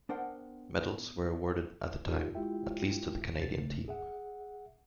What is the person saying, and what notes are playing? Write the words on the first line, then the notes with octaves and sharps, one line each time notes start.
Medals were awarded at the time, at least to the Canadian team.
B3 D4 A#4 C5 F#5 G5
D#4 F4 G4 A#4
G#3 E4 F4 G4 E5 G5
C#2 C3 G4 A6
C#3 A3
G#4 E5 F#5